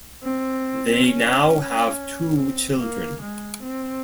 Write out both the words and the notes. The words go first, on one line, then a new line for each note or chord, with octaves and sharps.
They now have two children.
C4
C#4
C4
A#3
G#3
C4